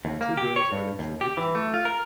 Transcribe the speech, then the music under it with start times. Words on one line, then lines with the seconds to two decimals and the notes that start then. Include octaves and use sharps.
Two girls wading through hip deep mud.
0.05 D#2
0.21 A#3
0.37 G4
0.56 C#5
0.72 G2
0.99 D#2
1.21 G4
1.37 E3
1.55 A3
1.74 F4
1.85 A#4